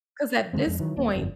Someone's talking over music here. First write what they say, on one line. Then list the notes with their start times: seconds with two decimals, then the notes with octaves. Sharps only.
'cause at this point
0.53 D3 E3 G#3 C4
0.66 F2 G#3
0.79 D#3 E3 F#3
0.97 D#1 A#2 A#3 C4
1.15 G1 F2